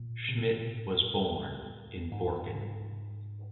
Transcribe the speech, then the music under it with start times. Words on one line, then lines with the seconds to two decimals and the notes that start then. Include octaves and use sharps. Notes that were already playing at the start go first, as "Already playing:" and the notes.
Schmidt was born in Borken.
Already playing: A#2
0.29 C3
0.39 B2
0.50 A#2
0.60 A2
2.12 G#2